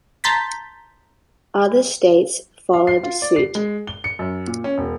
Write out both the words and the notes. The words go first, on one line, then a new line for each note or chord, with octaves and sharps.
Other states followed suit.
A5 A#5 C6 G6 A6 B6
F5
C7
F4
D5
C7
G#3
G7
C#7
F#2
A#2
C#4
E1